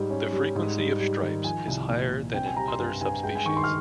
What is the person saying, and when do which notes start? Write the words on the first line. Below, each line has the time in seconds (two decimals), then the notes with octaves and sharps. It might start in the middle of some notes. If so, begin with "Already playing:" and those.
The frequency of stripes is higher than in other subspecies.
Already playing: G#2 G3
0.10 C#4
0.33 G3
0.55 G#2
0.78 G3
1.00 G3
1.22 D#3
1.44 F3 G#5
1.68 C2
1.89 A#2
2.12 C2
2.34 C4 G5
2.46 G#5
2.56 G3 A#5
2.68 C6
2.78 G2 G#5
3.01 G2 G#5
3.23 G#3 G5
3.35 G#5
3.46 D#3 C#6
3.57 C6
3.64 F6